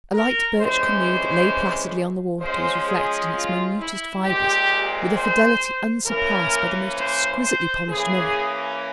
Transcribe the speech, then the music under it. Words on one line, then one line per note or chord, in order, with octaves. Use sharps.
A light birch canoe that lay placidly on the water, was reflected in its minutest fibres with a fidelity unsurpassed by the most exquisitely polished mirror.
A#4
C3 E3 G#3 C#4 C5
F3 G#3 C#4 C5
G#4
F4
E4
A#2 G#3 C4 G4
C5
E3 A#3 C#4 A#4
C5
C5
E3 A#3 C#4 G#4